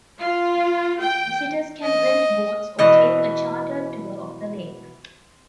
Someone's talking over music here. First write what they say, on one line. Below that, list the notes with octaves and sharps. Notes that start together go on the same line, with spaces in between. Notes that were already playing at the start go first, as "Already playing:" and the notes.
Visitors can rent boats or take a chartered tour of the lake.
F4
G5
D#5
B2 E3 D#5